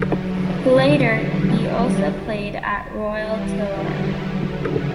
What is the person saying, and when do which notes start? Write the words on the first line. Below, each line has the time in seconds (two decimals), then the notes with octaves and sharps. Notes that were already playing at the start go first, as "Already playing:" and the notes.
Later he also played at Royal Tilleur.
Already playing: D3 F#3
0.28 C#3 E3
0.84 D3 F#3
1.12 E3 G3
3.08 E3 G3
3.37 E3 G3
3.64 D3 F#3
4.21 D3 F#3
4.49 C#3 E3